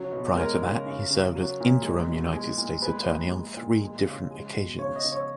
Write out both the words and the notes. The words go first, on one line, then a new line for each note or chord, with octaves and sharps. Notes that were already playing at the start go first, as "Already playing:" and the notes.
Prior to that, he served as interim United States Attorney on three different occasions.
Already playing: C#3 F#3
B2
G#3 A#4
C#3
C#3
C#3
F#3
A#2
G#3
B2
G#3
A#2
G#3 B4
A#2
G#3
A#2
G#3
C#3
G#3
B2
C#3 C#5
D#5
C#3
C#5